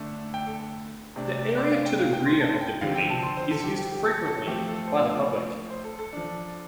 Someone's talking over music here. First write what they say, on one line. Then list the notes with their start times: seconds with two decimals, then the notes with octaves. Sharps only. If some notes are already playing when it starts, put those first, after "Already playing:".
The area to the rear of the building is used frequently by the public.
Already playing: D3 A3 D4
0.34 G5
0.47 A4
1.16 C3 A3 D4
1.57 D5
1.72 F5
1.86 G5
1.99 F5
2.13 G5
2.26 C6
2.40 A5
2.61 G5
2.81 D3 F3 C4 F5
2.96 G5
3.10 A5
3.23 C6
3.37 C5
3.51 A4
3.64 G4
3.78 G4
3.91 G4
4.06 A4
4.26 A4
4.47 F3 A3 C4 G4
4.68 A4
4.88 C5
4.99 F5
5.08 D5
5.70 C5
5.84 A4
5.99 A4
6.13 F3 D4